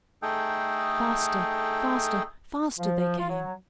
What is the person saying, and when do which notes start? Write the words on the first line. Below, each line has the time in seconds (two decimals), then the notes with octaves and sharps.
Faster, faster, faster, they came.
0.23 A3 D#4 G#4 A4 G5
2.79 F3
3.18 F4
3.29 F#3